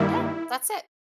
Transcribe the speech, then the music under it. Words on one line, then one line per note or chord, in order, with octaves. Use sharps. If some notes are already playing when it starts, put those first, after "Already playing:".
Yeah, that's it.
Already playing: G2 D#3 G3 A#3 E4